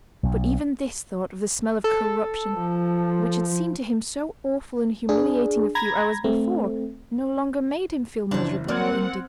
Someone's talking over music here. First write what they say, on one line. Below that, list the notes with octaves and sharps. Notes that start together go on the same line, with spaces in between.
But even this thought of the smell of corruption, which had seemed to him so awful and humiliating a few hours before, no longer made him feel miserable or indignant.
B1
A4
F3
D4 G#4
A#5 B5 G#6 A#6
A3 C4
F#1 E3 D4 C5 C#5
G3 A#3 C4 A#4 D5 F#5 F6 G#6